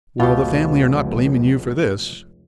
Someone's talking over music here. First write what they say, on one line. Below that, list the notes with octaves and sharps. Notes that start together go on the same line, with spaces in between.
"Well, the family are not blaming you for this."
F1 C#2 B2 F4 G4